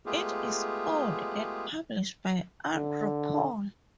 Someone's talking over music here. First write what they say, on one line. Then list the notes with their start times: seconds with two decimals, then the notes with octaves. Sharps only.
It is owned and published by Andrew Paul.
0.06 G#3 A3 B3 F4 G4 G#4
2.73 D3